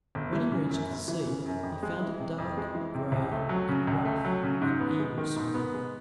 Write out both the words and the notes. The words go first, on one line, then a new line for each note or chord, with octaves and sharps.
When he reached the sea, he found it dark, gray, and rough, and evil-smelling.
G1
E3
C#3
F#2
G1
E3
C#3
F#2
F2
G#3
E3
C3
F2
G#3
E3
C3
C#2
A3
F#3
C#3
C#2
A3
F#3
C#3
G#2
B3
G#3
D#3
G#2
B3
G#3